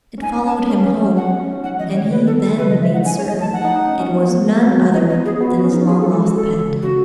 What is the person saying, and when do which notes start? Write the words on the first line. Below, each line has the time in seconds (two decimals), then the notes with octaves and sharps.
It followed him home, and he then made certain it was none other than his long-lost pet.
0.18 C#4
0.22 D#4 G#5
0.46 C#4 A5
0.70 C#4
0.86 C#4
1.01 C#4
1.17 B3 F#5
1.29 C#4
1.40 C#4
1.52 D#4
1.64 F#3 F#5
1.79 E3 D#5
1.95 D#3 C#5
2.05 C#3
2.11 B4
2.16 D#3
2.27 A4
2.43 A4
2.58 C#3 B4
2.70 C#3 D#5
2.82 G#3 E5
2.94 D#4 F#5
3.05 C#4 G#5
3.17 C#5
3.29 D#5
3.37 A3
3.41 A5
3.52 D#4 F#5
3.65 D#4
3.76 D#4
3.88 C#4
4.00 C#4
4.16 B3
4.30 A3
4.47 G#3
4.58 F#3
4.70 F#3
4.82 G#3
4.94 C#4 D#5
5.09 D#5
5.17 B3
5.25 G#4
5.41 B3 F#4
5.56 F#4
5.64 C#4
5.72 D#4
5.88 C#4 G#4
6.00 A4
6.11 G#3 A4
6.23 F#4
6.35 A4
6.47 E3
6.59 C#3
6.82 C#3 F#4